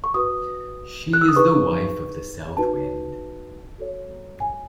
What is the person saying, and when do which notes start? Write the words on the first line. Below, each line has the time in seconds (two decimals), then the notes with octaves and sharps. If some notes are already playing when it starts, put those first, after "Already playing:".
She is the wife of the south wind.
0.04 C#6
0.14 F#4 B4 D#6
1.13 F#6
1.21 E6
1.28 D#6
1.36 D#4 G#4 B4 C#6
2.57 D#4 F#4 B4 A5
3.78 F#4 A4 C#5
4.40 G#5